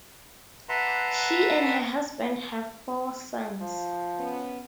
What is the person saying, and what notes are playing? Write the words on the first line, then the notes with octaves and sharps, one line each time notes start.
She and her husband have four sons.
B4 E5 F#5 A5 A#5 C6
F3
B3 C#4